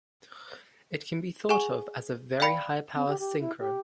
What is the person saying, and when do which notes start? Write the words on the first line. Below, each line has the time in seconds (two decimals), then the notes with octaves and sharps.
It can be thought of as a very high power synchro.
1.49 G#4 F#5 G#5 C#6
2.40 D5 F5 G5 B5 C#7 F7
2.95 C4
3.07 G4
3.19 G4
3.40 E4
3.60 G4